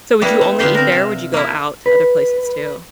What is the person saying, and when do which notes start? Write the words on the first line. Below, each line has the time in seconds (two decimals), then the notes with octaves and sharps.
So, would you only eat there or would you go out to other places too?
0.21 G3 A#3 B3 D4 E4
0.41 A3
0.59 D3 B3 F4 G4 C5
0.75 C4 A#4
0.92 C3
1.34 A#3 E4
1.86 B4